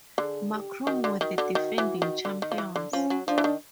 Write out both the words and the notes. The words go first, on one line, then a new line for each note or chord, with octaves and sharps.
Macroom were the defending champions.
D3 G#4
G4
D#3 F#4
D3
D#3 F#4
D3
D#3
E3
D#3
D3
D#3
F3
E3
D3
F3 C#4
F#3
F3 D4
E3
D#3